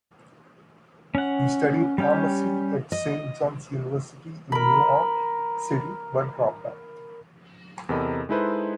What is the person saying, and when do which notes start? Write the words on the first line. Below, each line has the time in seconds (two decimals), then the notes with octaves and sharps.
He studied pharmacy at Saint John's University in New York City but dropped out.
1.15 C#4 F#5
1.98 G3 C#4 G4
2.92 D#5
4.52 A#4 B5
7.89 E2 C3 A4 A#4 D#5 B5
8.29 G#3 D#4 E4 A4 B4 C5